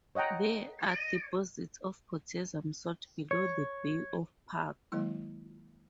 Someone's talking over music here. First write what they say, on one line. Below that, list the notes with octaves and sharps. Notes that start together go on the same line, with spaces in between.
There are deposits of potassium salt below the Bay of Puck.
C#5 D#5 F#5 G5 A#5
C#5
D#3 F#3 G#3 A#3 E4